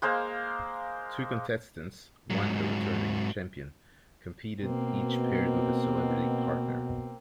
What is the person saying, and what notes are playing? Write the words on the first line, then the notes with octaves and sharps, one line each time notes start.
Two contestants, one a returning champion, competed, each paired with a celebrity partner.
G#3 A#3 C5 F5
G#2 F#3
B2 A#3 C4